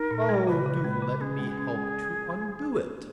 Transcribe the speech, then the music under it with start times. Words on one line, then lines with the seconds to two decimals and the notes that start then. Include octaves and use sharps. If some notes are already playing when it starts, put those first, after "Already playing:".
'Oh, do let me help to undo it!'
Already playing: D#4 A#4
0.11 A#2
0.29 G#3
0.47 C#3 B4
0.66 C#3
0.84 G#3
1.02 C#3
1.21 C#4 G#4
1.39 G#3
1.58 C#4
1.76 G#3